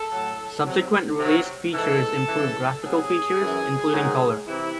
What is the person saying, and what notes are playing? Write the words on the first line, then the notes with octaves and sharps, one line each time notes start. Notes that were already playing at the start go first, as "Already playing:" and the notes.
Subsequent releases featured improved graphical features, including color.
Already playing: A4
A2 F#3
C3 F#3
C3 F#3
G#2 E3 A4
F#2 C#3 E3
C3 F#3 G#4
F#2 E3
G#2 D#3 F#3
C3 E3 E4